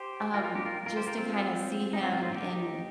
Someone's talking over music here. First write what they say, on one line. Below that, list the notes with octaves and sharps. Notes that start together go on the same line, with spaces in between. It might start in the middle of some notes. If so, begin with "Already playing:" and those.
um, just to kinda see him in
Already playing: G4 C5
F4 A#4
F4 A#4
D#4 G4
F4 A#4
F4 A#4
G4 C5
F4 A#4
C4 F4
D#4
C4 F4
C4 F4
C4 F4
D#4 G4